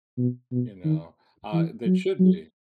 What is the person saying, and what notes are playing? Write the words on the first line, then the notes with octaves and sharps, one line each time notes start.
You know, uh, that should be.
B2
B2
D#3
E3
F#3
F#3